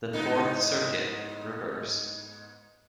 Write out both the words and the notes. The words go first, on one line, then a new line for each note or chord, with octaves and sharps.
The Fourth Circuit reversed.
G#2 B3 D#4